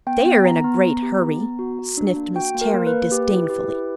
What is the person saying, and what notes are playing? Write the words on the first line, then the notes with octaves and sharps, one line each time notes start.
"They are in a great hurry," sniffed Miss Terry disdainfully.
B3 G5
B3
B3 A#5
B3
B3
G4
B3
B3
F#4
F#4
D4
A#3
F#4 G5
A#3
A#4
A#3
B4
A#3
G4
E4
G4
E4